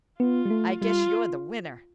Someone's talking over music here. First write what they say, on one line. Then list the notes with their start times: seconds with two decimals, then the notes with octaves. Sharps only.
I guess you're the winner!
0.20 B3 F4
0.45 G3
0.50 A3
0.81 G3 F4